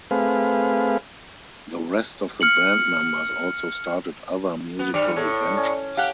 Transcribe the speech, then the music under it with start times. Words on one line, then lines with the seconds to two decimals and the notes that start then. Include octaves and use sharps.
The rest of the band members also started other musical ventures.
0.11 A3 C4 G#4 B4 F5
2.41 F6 C#7 F#7
4.79 B3
4.94 G2 G3 D5 C#7
5.16 A2 A4 C#5
5.57 C#4
5.97 G4 F5 F#5 A5 F#6